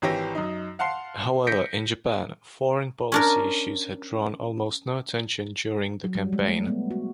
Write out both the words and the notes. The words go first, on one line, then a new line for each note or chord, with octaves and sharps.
However, in Japan, foreign policy issues had drawn almost no attention during the campaign.
G#1 E3 G4 C#5 A#6
F#2 D#4
F5 F#5 A5 C6 C7
G6 A#6 B6 C#7 D7
C#4 D4 A#4
F#3
G3
G#3
A3
B3
F#4